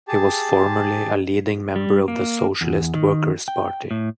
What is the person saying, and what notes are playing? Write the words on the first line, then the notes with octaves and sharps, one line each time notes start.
He was formerly a leading member of the Socialist Workers Party.
G4 G#4 A5
G3
A#3
E2
D#3
G5
A2